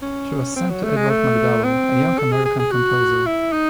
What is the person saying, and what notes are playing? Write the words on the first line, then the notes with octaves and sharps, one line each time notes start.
She was sent to Edward MacDowell, a young American composer.
C#4
C4
F#3
A3
G#3
A3
C4
A4
G#4
G#4
G#4
F#4
E4
D#4